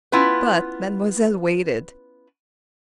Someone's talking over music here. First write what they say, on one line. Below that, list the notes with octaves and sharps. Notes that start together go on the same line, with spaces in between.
But Mademoiselle waited.
B3 C#4 E4 F4 B4